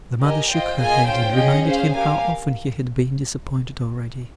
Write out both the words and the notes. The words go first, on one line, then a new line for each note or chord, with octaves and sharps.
The mother shook her head, and reminded him how often he had been disappointed already.
G4 A#4 D#5 G#5
F4 C5 D#5 G5
A#3 F4 G#4 D#5 G#5
C#4 F4 C5 G5
C#4 G#4 D#5
G#4 C5 F5
G4 A#4 F5 G#5